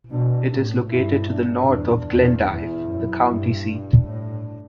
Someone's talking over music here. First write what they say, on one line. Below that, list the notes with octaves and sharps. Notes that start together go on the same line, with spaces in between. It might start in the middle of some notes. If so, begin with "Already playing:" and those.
It is located to the north of Glendive, the county seat.
B2 D4
A2
G2 E4
D4
E2 D4
E2
E2 E4
F#2
G2
D4
A2